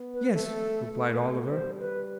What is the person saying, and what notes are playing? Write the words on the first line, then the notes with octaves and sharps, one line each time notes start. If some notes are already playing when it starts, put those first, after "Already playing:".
'Yes,' replied Oliver.
Already playing: B3
B4
A3 A4
A3
G3 C5
B4